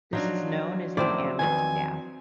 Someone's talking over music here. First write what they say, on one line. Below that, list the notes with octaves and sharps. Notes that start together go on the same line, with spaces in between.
This is known as the "amn't gap".
F3 F#3 D4 D#4
F#2 A2 D#3 C4 E4 D5
E2 D#3 E3 G#5